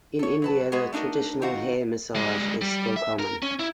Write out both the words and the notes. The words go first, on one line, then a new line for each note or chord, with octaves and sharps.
In India, the traditional hair massage is still common.
A4 C#5
F#3 B4 A5
G#3 B3 F#4 G#4
A3 D4 D#4 F#4 A#4
D#3 C4 D#4 F4 F#4
G3 G#3
G3
E5
A#4
C#4
E4